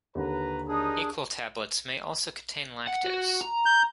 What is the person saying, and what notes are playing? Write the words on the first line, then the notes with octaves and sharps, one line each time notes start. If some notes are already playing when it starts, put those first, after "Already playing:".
Equal tablets may also contain lactose.
D#2 D3 B4 A#5
D4 D#4 G#4 A#5 D#6
F#5
F#4
A#5
G6